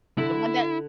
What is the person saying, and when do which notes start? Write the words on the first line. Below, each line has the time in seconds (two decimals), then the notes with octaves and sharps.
the one that
0.18 D3 E4